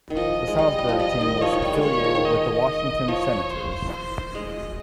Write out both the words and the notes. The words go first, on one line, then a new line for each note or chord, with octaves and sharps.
The Salisbury team was affiliated with the Washington Senators.
D#3
F3 D#5
G#3
G3 D#5
G3
F3
G3 D#5
D#3
F3 C#5
D#3
G3
G#3
A#3 C#5
G#3
F3
D#3
D#5
F3 C#5
C5
C5
G#3 D#5